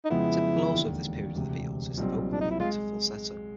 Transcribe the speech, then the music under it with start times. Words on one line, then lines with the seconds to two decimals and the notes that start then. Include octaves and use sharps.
Typical also of this period of the Beatles is the vocal leap into falsetto.
0.05 D#4
0.10 F2 C#3 F3 G#3 B3 E4
0.73 E1 D#2 D3
1.35 E1 D2 C3
1.98 B1 A#2 G3 C4
2.32 D4
2.41 D#4
2.51 E4
2.60 G#3 F4